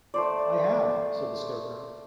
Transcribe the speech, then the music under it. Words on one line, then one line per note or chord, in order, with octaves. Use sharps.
"I have," said the Scarecrow.
A3 C5 D5